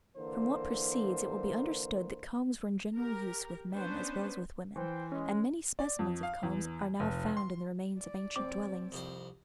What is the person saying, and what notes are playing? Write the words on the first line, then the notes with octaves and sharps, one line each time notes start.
From what precedes it will be understood that combs were in general use with men as well as with women; and many specimens of combs are now found in the remains of ancient dwellings.
D3 E3 A#3 A#4 C5
G4 A#4
B3 C#4 D4 B4 C5
E3 C5 G5
G#3 C#4
D5
F2
F5
E2
F1
C6
D5
F1 C4 D6
C2 F2 C5